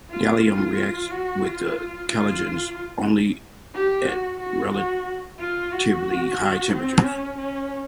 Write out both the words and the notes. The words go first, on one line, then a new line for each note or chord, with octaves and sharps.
Gallium reacts with the chalcogens only at relatively high temperatures.
F4
F4
F#4
F4
F4
G4
F#4
F#4
F#4
F4
F#4
C4
C#4
C#4